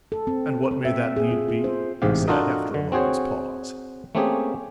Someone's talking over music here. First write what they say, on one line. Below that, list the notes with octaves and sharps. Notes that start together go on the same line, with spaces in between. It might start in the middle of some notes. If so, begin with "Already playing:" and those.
"And what may that need be?" he said, after a moment's pause.
A4
C4
C4
E5
G#4
F4
F4
C5
A1 G#2 C3 G4 F5
D4 F4 F#4 A4 A#4 D#5
D3
C4 F#4 G#4 C5 C#5
A3 A#3 C4 C#4 G4 G#4